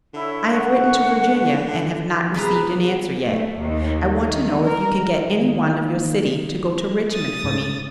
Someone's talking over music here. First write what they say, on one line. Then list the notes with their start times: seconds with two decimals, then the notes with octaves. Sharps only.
I have written to Virginia and have not received an answer yet. I want to know if you can get any one of your city to go to Richmond for me.
0.14 D3 E4 C#5
0.47 F#5 C#6 F#6
2.34 E2 C3 B4 A#5
3.24 A3
3.59 D#2
4.19 D#3
4.64 A#4
5.28 D#3 A#3
7.13 D#6 A6
7.44 G#2 C#3 A3